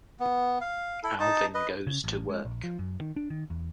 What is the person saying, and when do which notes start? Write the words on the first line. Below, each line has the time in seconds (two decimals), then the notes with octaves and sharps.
Alvyn goes to work.
0.20 B3
0.61 F5
1.03 E4 A4
1.20 D#4 A5
1.54 B4 D#5
1.87 C#3
2.04 A1
2.29 G#3
2.45 A#1
2.64 F3
2.79 F#2
3.00 D#3
3.16 D4
3.30 D#3
3.50 E2